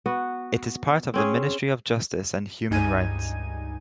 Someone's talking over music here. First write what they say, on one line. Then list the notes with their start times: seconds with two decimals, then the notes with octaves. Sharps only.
It is part of the Ministry of Justice and Human Rights.
0.06 B3 F#4
1.14 C4 C#4 G#4
2.71 C#2 G2 D#4 G#5 G#6 D#7